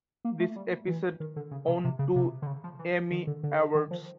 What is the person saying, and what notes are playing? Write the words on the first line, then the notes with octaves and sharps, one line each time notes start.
This episode won two Emmy Awards.
A#3
A3
G3
E3
D#3
D3
C#3
C3
C3
C#3
C3
D3
C#3
F3
E3
D#3
D3
D3
D#3
F3